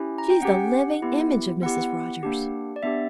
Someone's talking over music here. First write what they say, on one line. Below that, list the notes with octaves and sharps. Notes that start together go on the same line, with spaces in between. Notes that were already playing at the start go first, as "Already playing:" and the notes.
"She's the living image of Mrs. Rogers."
Already playing: C#4 E4 G4
A#5
G5
C#4 G4 F#5
B3 E4 G4
B3 E4 G4 F#5
A#3 D4 G4
D5
B3 D4 G4 E5